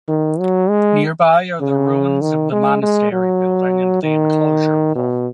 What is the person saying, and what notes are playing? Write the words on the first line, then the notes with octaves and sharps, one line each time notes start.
Nearby are the ruins of the monastery building and the enclosure wall.
D#3
F#3
G#3
C#3
D#3
G#3
G#3
F#3
D#3
B2